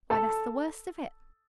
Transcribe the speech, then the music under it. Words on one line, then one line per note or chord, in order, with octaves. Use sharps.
'Why, that's the worst of it.
A4 A5